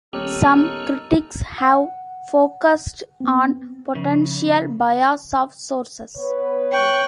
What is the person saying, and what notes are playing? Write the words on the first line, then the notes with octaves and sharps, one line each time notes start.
Some critics have focused on potential bias of sources.
D#1 B3 C#4 D#4 G4 A4 A#4 C#5
F#5
B3 C4
C#3 F3
B3 B4 C#5
G5 C#6 F#6